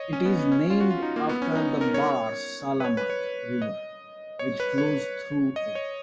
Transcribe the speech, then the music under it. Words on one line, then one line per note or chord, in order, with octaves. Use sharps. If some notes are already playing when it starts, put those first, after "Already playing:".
It is named after the Bahr Salamat River which flows through it.
Already playing: C#5 D#5
C#4
B3
B3
C#4
F4
F#4
F4
D#4
A#3
B3
C#4
D#4
A#4
C#5
B4
C#5
B4
C#5
D#5
C#5
B4
C#5
D#5
C#5